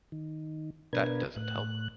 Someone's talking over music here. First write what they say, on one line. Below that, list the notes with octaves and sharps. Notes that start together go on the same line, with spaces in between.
That doesn’t help.
D#3
B2 D4 A#4 B4 G#6
A2 F#6